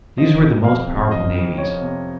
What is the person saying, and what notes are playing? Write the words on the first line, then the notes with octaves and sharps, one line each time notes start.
These were the most powerful navies.
F3 D#5
F2
F2 F5
C3
F3 D#5
F2
F2 C#5
C3